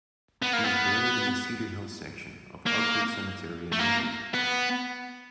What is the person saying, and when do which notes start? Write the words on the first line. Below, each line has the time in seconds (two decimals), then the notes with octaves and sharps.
He is buried in the Cedar Hill Section of Oakwood Cemetery in Raleigh.
0.42 B3
0.53 A#3
0.64 B3
2.66 A#3
3.72 A3
3.79 A#3
4.34 B3